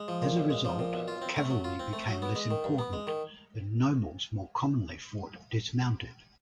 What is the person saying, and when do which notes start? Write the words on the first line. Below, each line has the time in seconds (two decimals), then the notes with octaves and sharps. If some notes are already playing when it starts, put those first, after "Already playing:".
As a result, cavalry became less important and nobles more commonly fought dismounted.
Already playing: G#3
0.08 F3
0.22 A#2
0.37 B1
0.50 G#3
0.65 F3
0.79 A#2
0.93 B1
1.08 F4
1.22 C4
1.36 A3
1.50 F#3
1.64 F4
1.79 C4
1.93 A3
2.08 F#3
2.22 B3
2.35 G#3
2.51 D#3
2.64 G2
2.79 B3
2.93 G#3
3.07 D#3